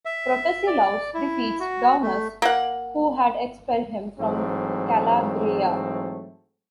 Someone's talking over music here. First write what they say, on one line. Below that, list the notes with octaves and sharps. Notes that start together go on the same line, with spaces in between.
Protesilaus defeats Daunus, who had expelled him from Calabria.
E5
D5
E4
F#4
A3
A#3 F#5
G#2 E3 F#3 A3 C4